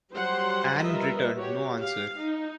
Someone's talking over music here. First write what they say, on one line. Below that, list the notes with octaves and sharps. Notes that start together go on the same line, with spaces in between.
Anne returned no answer.
F#3 G3 G4 C5 F#5 C6
G3 F4 A#4 B4 D#5 E5
F#4 G4 C#5
G4 F5
D#4